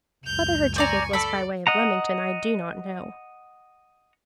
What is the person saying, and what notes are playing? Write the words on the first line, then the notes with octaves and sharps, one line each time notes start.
Whether her ticket was by way of Leamington I do not know.
C#2 F#2 G6 F7
C4 D5 G#5 A#5 C#6
A4 D5 B5
D#5 F#5 A#5